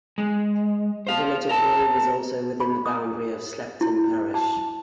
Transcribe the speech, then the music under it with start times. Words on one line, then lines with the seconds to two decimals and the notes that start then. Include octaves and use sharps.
The village of Grove is also within the boundary of Slapton parish.
0.18 G#3
1.07 C5 F5
1.49 A#4 A5
2.60 B5
2.86 D#6
3.81 E4
4.34 A5